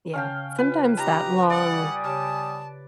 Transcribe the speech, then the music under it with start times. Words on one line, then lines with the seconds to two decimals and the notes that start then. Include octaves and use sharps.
Yeah. Sometimes that long
0.14 C#3 C#4 F5 G5 A5
0.58 F4 B4
0.97 D#4 G4 A#5
1.50 G3 D5 F#5 G#5 D#6
2.04 C#3 G4 C#5 A5